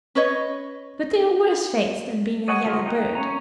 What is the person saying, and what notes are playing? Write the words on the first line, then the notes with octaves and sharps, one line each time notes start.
But there are worse fates than being a yellow bird.
C#4 B4 C#5 D#5
C#5 D#5 F#5 G#5
D3 F#3 F4 D#5
D#4 G5 F#6
C#4 G#5 A#5